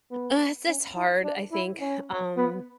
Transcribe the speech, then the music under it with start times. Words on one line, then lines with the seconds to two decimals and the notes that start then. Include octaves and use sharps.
Uh, it's just hard, I think. Um
0.11 B3
0.67 C#4
0.96 E4
1.24 D4
1.52 E4
1.80 C#4
2.37 B3